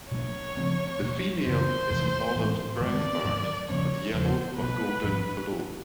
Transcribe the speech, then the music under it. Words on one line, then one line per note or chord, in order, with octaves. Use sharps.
The female is an olive brown bird with yellow or golden below.
B2 F#3 A#3 D4 C#5
C#3 F3 A3 C4
B2 F#3 A#3
F#2 C#3 E3 C5
F2 C3 E3
A2 E3 G#3 C4
G2 D#3 G#3 D5
G#2 D#3 F#3 A3
C#3 F3 A#3 C#4 C#5
E2 C#3 F3 C5
B2 F#3 B3 B4
G#2 F3 G#3 C4